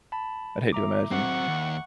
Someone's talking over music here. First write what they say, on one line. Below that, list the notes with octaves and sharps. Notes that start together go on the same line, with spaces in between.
I'd hate to imagine
A5 B5
E5 A#5 D6
F#3 C4 F#5 C#6
D#2